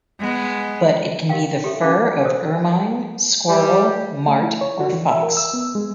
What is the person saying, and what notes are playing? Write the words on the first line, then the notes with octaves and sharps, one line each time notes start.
But it can be the fur of ermine, squirrel, mart or fox.
G#3 B3
G4 A#4 D#5 F5 G5
G4 A4 E5
C#4 G4 A#4 F5 A5 D6
G4 A4 C5 D5 D#6 E6
G3 G4
A3
E4
C#5
F#4
E3
E5
A#4
E6
B3
G#3